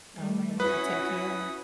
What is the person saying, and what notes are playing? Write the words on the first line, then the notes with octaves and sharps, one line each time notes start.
Alright. Well, take care.
G3 A3
C#4 E4 F#4 B4 B5 D#6